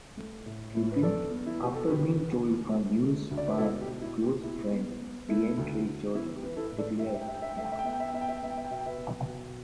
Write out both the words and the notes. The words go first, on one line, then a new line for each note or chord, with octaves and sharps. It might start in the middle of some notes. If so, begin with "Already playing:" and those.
Griffin, after being told the news by close friend DeAndre Jordan, declared, Yeah!
A3
A2
A2
B4
E2 A4 D5
B3
E4
B2 G4
A4
D3 G4 B4
D2
B3
A3
D3
D2
D5
B4
B2 E4 A4
G4
B2
E4
B2
G4
B3 E4
B3
B3
A3 E4
D2
D2
B3 E4
G4
E3 B4
E4 A4
A2
A4 D5
G2 E5
G5
E5
G5
G2 E5
G5
E5
G5
A3 E5
G5
E5
G5
B3 E5
G5
E5
G5
B3 E5
G5
E5
G5
B3 E5
G5
E5
G5
B2 E5
G5
B4 E5
B2
B2